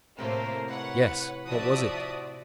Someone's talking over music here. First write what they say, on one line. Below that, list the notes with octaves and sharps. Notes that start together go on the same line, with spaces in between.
"Yes, what was it?"
A2 C3 A3 A#3 C4 A#4 C5
B4 C#5 F#5
F3 F#4 C5 D5 E5 A5 D#6